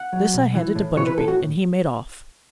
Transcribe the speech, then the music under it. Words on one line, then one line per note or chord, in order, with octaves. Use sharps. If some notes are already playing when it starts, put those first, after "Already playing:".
This I handed to Bunderby and he made off.
Already playing: F#5
F#3
B2
E3
A2
E3 C#5
B4
A2 A4
F#4